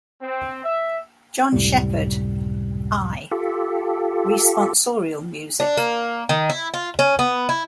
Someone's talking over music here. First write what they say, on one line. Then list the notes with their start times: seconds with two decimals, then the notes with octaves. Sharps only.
"John Sheppard: I: Responsorial Music".
0.21 C4
0.64 E5
1.52 C#2 F#2 A2 C3 G3
3.31 F4 G4 A4
5.60 D4
5.77 A#3
6.29 D#3
6.50 E4
6.74 F4
6.99 C#4
7.19 B3
7.49 E4